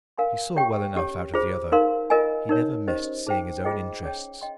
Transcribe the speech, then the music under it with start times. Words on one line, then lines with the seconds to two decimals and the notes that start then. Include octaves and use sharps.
He saw well enough out of the other; he never missed seeing his own interests.
0.18 A#4 F5 G#5 C6
0.56 G4 C#5 G5 C#6
0.95 C#4 G4 C#5
1.34 F4 G#4 C5
1.72 D#4 A#4 F5 C6
2.10 F4 A#4 D#5 G#5
2.49 D#4 A#4 C#5
2.88 C#4 G4 C5 D#5
3.26 D#4 G#4 C5 G5
3.64 F4 G#4 C5 D#5 G5
4.03 C#4 G#4 C#5 G5
4.41 D#5 G5 C6